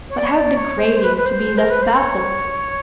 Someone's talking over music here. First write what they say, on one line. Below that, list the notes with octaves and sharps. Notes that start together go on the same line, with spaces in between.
But how degrading to be thus baffled!
C#5
D5
C#5
D5
C#5
C5
C5
B4
B4
C5
A#4
B4
C5
C#5